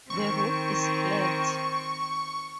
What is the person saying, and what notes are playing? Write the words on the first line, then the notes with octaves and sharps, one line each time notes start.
The roof is flat.
D#3 C4 C#6